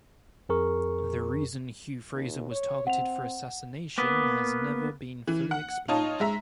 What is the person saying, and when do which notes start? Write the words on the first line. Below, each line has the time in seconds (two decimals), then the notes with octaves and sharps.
The reason Hugh Fraser was targeted for assassination has never been fully explained.
0.49 F2 G#4 A#4 C#6
2.13 D#2
2.51 C#5
2.87 C4 F#5 F7
3.98 A#3 B3 B4
5.28 E3
5.51 F#5
5.88 D#4 F4 C#5 D#5 A5
6.20 G#3 E5 A#5